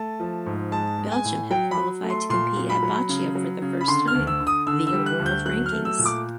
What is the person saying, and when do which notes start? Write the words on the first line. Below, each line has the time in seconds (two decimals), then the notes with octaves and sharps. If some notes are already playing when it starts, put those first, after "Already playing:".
Belgium have qualified to compete at boccia for the first time via world rankings.
Already playing: A3 A5
0.20 F3
0.46 G#2
0.72 G#3 A5
0.98 G#3
1.12 G#5
1.25 A2
1.51 F#3 G5
1.71 B5
1.77 F#3
2.03 A3
2.10 C6
2.30 A#2 C6
2.56 F#3
2.70 B5
2.83 F#3
3.09 C#3
3.35 F#3
3.62 C#3
3.81 B5
3.88 D3 C6
4.07 F6
4.14 D2
4.27 E6
4.40 D3
4.47 D#6
4.67 D3 E6
4.87 E6
4.93 G3
5.06 F#6
5.19 D2
5.26 G6
5.46 F#3 F#6
5.66 F6
5.72 A3
5.85 E6
5.99 A#2
6.06 D6